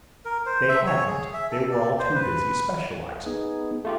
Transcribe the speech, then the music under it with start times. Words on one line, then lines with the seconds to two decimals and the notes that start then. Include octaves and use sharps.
They hadn't; they were all too busy specializing.
0.25 A#4
0.46 C5
0.69 E5
0.86 C#5
1.08 G#4
1.33 E5
1.51 A4
1.71 D5
1.99 C5
2.15 B4
3.26 B3 D#4 G#4
3.85 A3 F4 G4